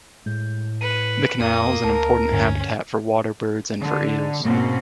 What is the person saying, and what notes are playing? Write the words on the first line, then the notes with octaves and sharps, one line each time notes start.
The canal is an important habitat for water birds and for eels.
A2 G#3 G6
B4 C#7 D#7
F2 A#3 D#6
D2 A#4 A5
G2 D3 C#4
D3
G#2 B2 A#3 C4 C#4